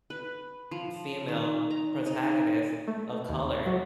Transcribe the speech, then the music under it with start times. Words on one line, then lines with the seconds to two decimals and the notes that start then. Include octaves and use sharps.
female protagonist of color,
0.10 B4
0.71 F3
1.28 D#3
1.71 A#5
2.06 D#4
2.88 A3
3.29 D#2
3.66 F#3